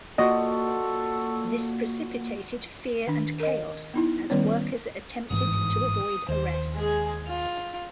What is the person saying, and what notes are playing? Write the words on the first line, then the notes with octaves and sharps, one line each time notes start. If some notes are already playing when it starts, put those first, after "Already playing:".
This precipitated fear and chaos as workers attempted to avoid arrest.
A#3 F4 F#4 A4 D5 D#5
D#3 D4
A#4 D#5
B3 D#4 E4
D#3 G3 B3 C#4 C#5
G1 G#2 E3 D#6
D#2 C5
G#3 G#4
F4